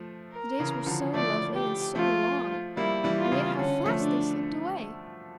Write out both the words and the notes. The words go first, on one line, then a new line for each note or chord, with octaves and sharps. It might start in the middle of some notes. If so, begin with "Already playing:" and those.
The days were so lovely and so long! and yet how fast they slipped away!
Already playing: F3 A3
A#4
C#3 E3
D3 F3
F3 A3 D5
G4
F3 A3 F4
G3 A#3 E4
E3 G3
F4
C#3 E3
D3 C#4
F3 A3
D4